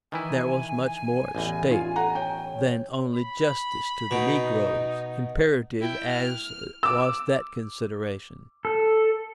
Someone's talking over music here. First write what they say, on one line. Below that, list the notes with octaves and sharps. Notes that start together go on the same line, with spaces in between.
There was much more at stake than only justice to the negroes, imperative as was that consideration.
D#3 E3 E4 G#5
A1 E2
F4
A4 F#5 A#5
C#5 G5
B5
B2 D#4
E4 G5
F6
D6 E6
A4